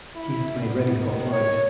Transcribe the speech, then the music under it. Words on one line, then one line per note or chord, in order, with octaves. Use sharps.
He had made ready for flight.
E4
B3
D#3
C#5